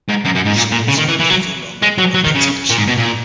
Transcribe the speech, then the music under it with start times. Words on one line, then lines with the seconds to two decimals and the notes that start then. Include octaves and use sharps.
She was the only female member of the expedition.
0.09 G#2
0.25 F#2
0.35 F#2
0.45 G#2
0.56 A#2
0.71 A#2
0.88 C#3
0.98 D#3
1.09 E3
1.20 E3
1.30 F#3
1.82 G#3
1.98 F#3
2.14 F#3
2.24 D#3
2.35 C#3
2.70 A#2
2.78 G#2
2.87 B2
2.98 A#2